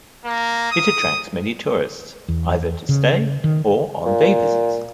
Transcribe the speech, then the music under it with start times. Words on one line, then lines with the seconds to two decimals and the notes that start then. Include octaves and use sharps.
It attracts many tourists either to stay or on day-visits.
0.25 A#3
0.72 D#6
2.28 E2
2.89 C#3
3.44 D#3
4.05 A#2